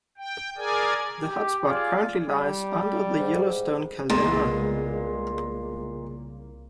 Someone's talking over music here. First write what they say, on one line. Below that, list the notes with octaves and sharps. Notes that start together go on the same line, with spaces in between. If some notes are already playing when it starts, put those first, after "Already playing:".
The hotspot currently lies under the Yellowstone Caldera.
G5
G#4 A#4 D5 G#5
G4
F4 G#4 D5 F5 C6
G3
G#2
C2 A#2 C#3 G#3 A#3 B3